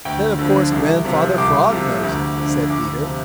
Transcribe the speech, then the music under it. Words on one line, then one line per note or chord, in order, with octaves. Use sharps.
"Then of course Grandfather Frog knows it," said Peter.
D2 G5
D3 F3
C2
C3 F3
C2 D6
C3 F3
D2
D3 F3
D2 D6
C3 F3